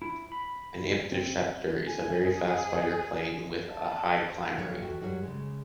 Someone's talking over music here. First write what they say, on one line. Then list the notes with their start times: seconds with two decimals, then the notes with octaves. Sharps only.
An interceptor is a very fast fighter plane with a high climb rate.
0.02 E4
0.32 B5
1.12 C4
1.85 G#5
2.25 G#4
3.68 A5
4.56 F2 F#3 A#3 B3 C#5 E5
4.82 E2 F#4 A4 E5 G5
5.01 F#2 F#3 G3 G4 C#5
5.23 C#3 G#3